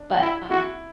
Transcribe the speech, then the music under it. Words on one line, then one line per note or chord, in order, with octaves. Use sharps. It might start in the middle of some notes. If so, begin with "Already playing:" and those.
but, um
Already playing: D4
E4
E4 F#4